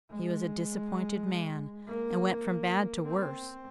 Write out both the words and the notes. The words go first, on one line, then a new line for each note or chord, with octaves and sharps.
He was a disappointed man, and went from bad to worse.
G#3
A#3
C4